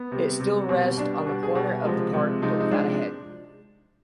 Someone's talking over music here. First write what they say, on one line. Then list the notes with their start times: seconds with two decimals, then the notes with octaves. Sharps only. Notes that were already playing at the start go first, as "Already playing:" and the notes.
It still rest on the corner of the park, but without a head.
Already playing: B3
0.11 C3 G3
0.40 C3 G3
0.68 B2 G3 C4
0.97 B2 G3 D4
1.26 B2 G3
1.43 G#4
1.55 B2 G3 G4
1.85 C3 F3 G#3
2.13 C3 F3 G#3
2.42 C3 F3 G#3 D#4
2.60 D#4
2.71 C3 F3 G#3 D4